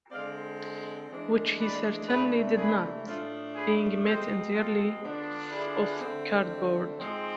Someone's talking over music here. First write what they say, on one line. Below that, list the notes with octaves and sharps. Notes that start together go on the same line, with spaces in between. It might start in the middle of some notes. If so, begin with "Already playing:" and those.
Which he certainly did not, being made entirely of cardboard.
D3 G#3 C4 D5 F5
E3 G#3 D4
B4 D5
C3 E3 A3 D4 G#4 B4
G#4 B4
A2 F3 A3 D4 F4 A4
G#4 B4
B2 G#3 C4 A4 C5
F4 A4
D3 F3 B3 D4
E4 G#4
D3 A3 C4
G#2 F3 G#3 C4